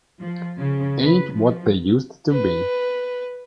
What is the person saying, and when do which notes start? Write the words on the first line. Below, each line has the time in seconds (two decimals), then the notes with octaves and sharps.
Ain't What They Used to Be!
0.19 F3
0.58 C#3
0.99 B4
1.33 F3
2.32 B4